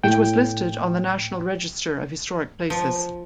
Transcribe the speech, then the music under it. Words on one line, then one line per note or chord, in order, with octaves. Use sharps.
It was listed on the National Register of Historic Places.
A2 G5
F3